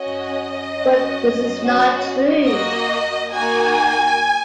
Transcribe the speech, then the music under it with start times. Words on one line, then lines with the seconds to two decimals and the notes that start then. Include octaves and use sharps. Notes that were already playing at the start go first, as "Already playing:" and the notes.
But this is not true.
Already playing: C#4 F#4 D#5
0.73 C#4 F#4
1.60 C#4 F#4
2.46 A#3 F#4 D#5
3.32 A#3 D#4 F#4 G#5